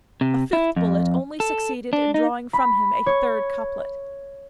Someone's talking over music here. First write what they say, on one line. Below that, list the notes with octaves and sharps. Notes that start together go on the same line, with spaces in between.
A fifth bullet only succeeded in drawing from him a third couplet.
C3
E4
F2
A4
D4
D#4
B5
C#5